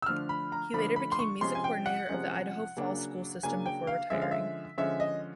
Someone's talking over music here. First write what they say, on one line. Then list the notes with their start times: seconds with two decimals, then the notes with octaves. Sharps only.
He later became music coordinator of the Idaho Falls School System before retiring.
0.02 E6
0.06 D3 F3 A3 D4 F6
0.29 B5
0.52 A#5
0.74 D3 F3 A3 D4 B5
0.96 B5
1.12 C6
1.19 C#6
1.41 C3 F3 G#3 C#4 C6
1.55 G#5
1.64 G5
1.86 F#5
2.09 C3 F3 G#3 C#4
2.76 C#3 F#3 A#3 D4
3.43 C#3 F#3 A#3 D4 G#5
3.66 G5
3.87 F5
4.10 D3 F3 G#3 C#4 E5
4.22 F5
4.31 E5
4.78 D3 F3 G#3 C#4 E5
5.00 D#5